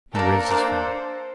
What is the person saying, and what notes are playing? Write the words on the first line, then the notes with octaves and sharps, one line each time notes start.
He raised his finger.
A#3 D4 A4 A#4
A#3 D4 A4 C5